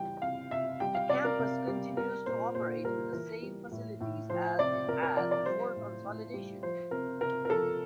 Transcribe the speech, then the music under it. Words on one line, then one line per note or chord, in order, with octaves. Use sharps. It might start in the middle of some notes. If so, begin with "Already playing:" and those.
The campus continues to operate with the same facilities as it had before consolidation.
Already playing: E3 G3 G5
C3 F5
C3 E5
G3 G5
F5
C3 D5
A#4
C3
G3
G3 A#4
A#2 C5
A#2 C5
G3 A#4
E3 A#4
G3
A2
A2
F3 C5
C3 D5
C3 A#4
A#4
F3 D5
D5
G3 C5
A2
A2
G3
F3 C5
C3 A#4
C3 A#4
A#4
F3 A4